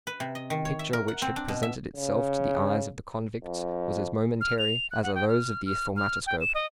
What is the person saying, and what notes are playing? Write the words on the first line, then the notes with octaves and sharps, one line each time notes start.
The picture which had presented itself to the eyes of the convicts was as momentary as are those of the thaumatoscope.
B4
C3
D#5
D#3
C#5
E5
A#4
F#5
C4
D4
B2
E5
C#3
F2
F6
F7
F#6
F#5
G5
F6
F6
F6
G5
E7
D#5